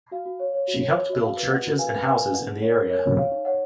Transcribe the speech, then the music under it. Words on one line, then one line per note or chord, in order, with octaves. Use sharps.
She helped build churches and houses in the area.
F#4 F5
F#4
C#5
C#5
F#4
C#5
C#5
F#4 D#5
F#4 F5
B4
B4 D#5 F#5
F#4
B4 F5 G#5
B4
B4 F5 G#5
B4
G#5
D#4 D#5 F#5
D#4
C#5
A#4
C#5 D#5
C#5
C#5 F5
D#4
C#5 D#5 F#5